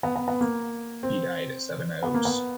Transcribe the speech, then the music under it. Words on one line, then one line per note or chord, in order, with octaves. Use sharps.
He died at Sevenoaks.
B3
B3
B3
A#3
C4
B3
A#3
B3